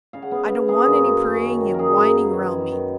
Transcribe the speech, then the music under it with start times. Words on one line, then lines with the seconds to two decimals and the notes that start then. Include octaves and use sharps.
I don't want any praying and whining round me.
0.13 C#3 F5
0.22 F#5
0.31 B3 F5
0.50 C#3
0.68 A#3 G#4
0.87 F#2
1.06 F#2
1.24 C#4
1.42 D#3
1.60 D#3
1.74 A#4
1.79 C#3 G#4
1.98 F#2
2.16 B3
2.34 D#3
2.52 F#2
2.71 D#3